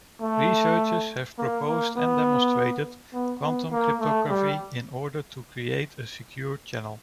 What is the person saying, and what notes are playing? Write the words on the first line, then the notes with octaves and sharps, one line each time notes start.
Researchers have proposed and demonstrated quantum cryptography in order to create a secure channel.
A3
A#3
A#3
B3
B3
B3
A#3
A3
G3